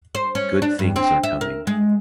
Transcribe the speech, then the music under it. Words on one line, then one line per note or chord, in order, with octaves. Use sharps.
Good things are coming.
C5
C#4
D4
G2
C4
E5
A#4
G#3